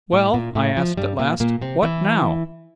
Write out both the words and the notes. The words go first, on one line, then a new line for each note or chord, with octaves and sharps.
"Well," I asked, at last, "what now?"
A2 A3
A#2 A#3
A2 A3
F3
G2 G3
A#2 A#3
A#2 A#3
C3 C4
E3 E4